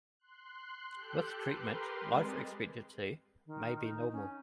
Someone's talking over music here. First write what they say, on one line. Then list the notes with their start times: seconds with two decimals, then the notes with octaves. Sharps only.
With treatment life expectancy may be normal.
0.20 C6 F#6
0.91 G4 A4 F#6 G6
1.37 G4 A#4 B4 C6
2.00 G3 G#3 C4 G#4 D#5 A6
3.46 D#3
3.83 D#4
4.13 C#4